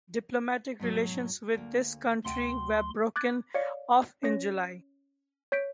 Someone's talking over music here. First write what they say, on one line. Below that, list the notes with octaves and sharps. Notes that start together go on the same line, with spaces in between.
Diplomatic relations with this country were broken off in July.
G#2 B2 F#3
D2 A#3
D2 C3 F#5 G5 C6
D6 F#6 G#6 A6
C#5 D5 F5 C#7
C#4 C#5 A#6
C#5 G6 B6 D7